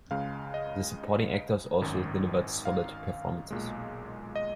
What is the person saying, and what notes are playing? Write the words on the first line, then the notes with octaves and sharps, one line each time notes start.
The supporting actors also delivered "solid" performances.
C#2 C#3 G#3 F5
D#5
G#1 F#2 D#3
F5
B1 A#2 G#3
D#5